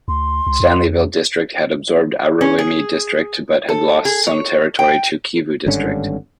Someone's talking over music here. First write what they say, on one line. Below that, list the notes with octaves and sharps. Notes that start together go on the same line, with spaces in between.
Stanleyville District had absorbed Aruwimi District but had lost some territory to Kivu District.
D2 C6
C#2
F2
C#4
G#4
A4
G#4
C#5
G5
G#1 G2 D3 C#4